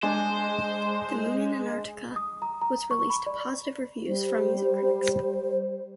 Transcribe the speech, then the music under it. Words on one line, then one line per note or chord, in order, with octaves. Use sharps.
"The Moon and Antarctica" was released to positive reviews from music critics.
G#3 D4 C5 G#5
D#6
A#5
A#5
C#6
B5
D5
G3 C5